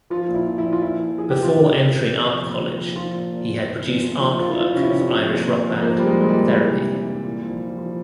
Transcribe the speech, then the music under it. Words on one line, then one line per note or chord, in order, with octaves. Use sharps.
Before entering art college, he had produced art work for Irish rock band Therapy?
F3 F4
A#2
E4
F3
E4
A#2
F4
F3 E4
F3
F3 G#4
G4
C3
F4
C3 G4
C3
C3
C3
F3
A#2
F3
F3
F3 F4
A#2
A#2
A#2
F3
A#2
F3
F3
F3 F4
E4
F3 F4
C3 C#4
E4
C3 C#4
F3
A#2
A#2
F3
F3 A#3
F3 G3
G#3
A#2 G#3
G3
A#2
E3
C3
E3
E3
A#2
F3
F3
F3